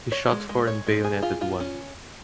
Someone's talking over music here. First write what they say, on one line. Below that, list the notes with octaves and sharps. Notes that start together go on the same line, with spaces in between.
He shot four and bayoneted one.
C#5
G#3
G#3
C#5
G#3
G#4
F4
F4
C#4